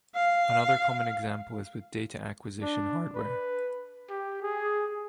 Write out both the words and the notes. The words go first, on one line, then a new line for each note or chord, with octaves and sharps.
Another common example is with data acquisition hardware.
F5
D4
B4
G4
G#4